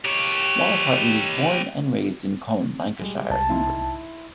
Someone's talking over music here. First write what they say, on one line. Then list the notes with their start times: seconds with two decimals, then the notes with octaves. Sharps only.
Wallace Hartley was born and raised in Colne, Lancashire, England.
0.05 G4 C#5
3.00 G3 G#3
3.30 C2 A5
3.48 D#4 E4 C6